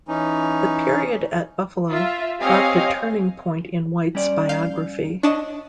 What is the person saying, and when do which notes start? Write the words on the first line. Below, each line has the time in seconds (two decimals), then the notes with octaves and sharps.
The period at Buffalo marked a turning point in White's biography.
0.08 E3 C#4 D#4
1.90 F4 E5
2.41 C4 G4 C#5 D#5 F5 G#5
4.15 G3 C#4 D5
4.49 F5 G6
5.23 D4 C#5 D#5 E5 A5